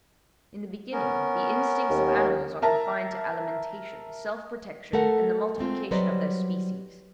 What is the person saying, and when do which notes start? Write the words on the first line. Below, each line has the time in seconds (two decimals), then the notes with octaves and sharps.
In the beginning, the instincts of animals are confined to alimentation, self-protection, and the multiplication of their species.
0.93 B3 C#4 A#4
1.90 D#2
2.62 A#4 E5 A5 A#5
4.93 A3 A4 A#4 F#5
5.58 G#3 A3 C4 F4
5.91 F#3 G3 B4 C5 D5 D#5